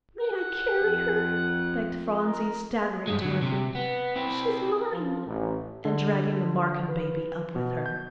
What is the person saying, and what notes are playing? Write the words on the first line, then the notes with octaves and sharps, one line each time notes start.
"May I carry her?" begged Phronsie, staggering to her feet--"she's mine"--and dragging the Marken baby up with her.
F#5
F2
A#4
G2 G#3
D3 F#3
C3
B3
C4 E4
F3
A1
D3
B4
B2
G6